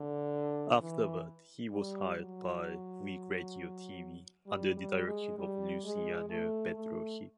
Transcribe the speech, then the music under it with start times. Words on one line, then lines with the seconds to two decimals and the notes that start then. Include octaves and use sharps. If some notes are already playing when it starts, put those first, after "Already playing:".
Afterward, he was hired by “Week Radio TV”, under the direction of Luciano Pedrocchi.
Already playing: D3
0.81 E3
1.72 G3
2.19 F#3
4.47 G3
4.77 G3
5.07 G#3
5.38 G3
5.85 G#3
6.30 A3
6.75 A3